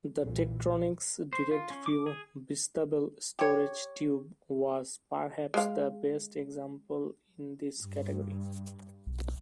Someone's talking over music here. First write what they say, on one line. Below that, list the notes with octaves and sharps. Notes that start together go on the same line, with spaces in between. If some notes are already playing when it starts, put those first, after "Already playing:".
The Tektronix Direct-View Bistable Storage Tube was perhaps the best example in this category.
B1 A#2 E3
C5
F4
C#4
D6
G#4
G4 C#5
G#3 F5
G2
B1